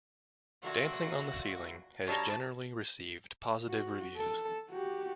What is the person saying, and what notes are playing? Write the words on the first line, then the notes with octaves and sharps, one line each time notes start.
"Dancing on the Ceiling" has generally received positive reviews.
A#2 D3 A3 F#4
B2 G3 D4 C#5 E5 A5 A#5
F#4
A4
F#4 G4